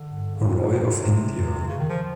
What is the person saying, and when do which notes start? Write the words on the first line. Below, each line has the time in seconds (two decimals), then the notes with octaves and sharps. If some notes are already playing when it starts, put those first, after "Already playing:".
Roy of India.
Already playing: D3
0.35 C#3
0.45 A2
0.57 G#2
0.75 A2
0.79 A#2
0.89 B2
1.00 C3
1.67 C#3
1.79 D#3
1.89 F3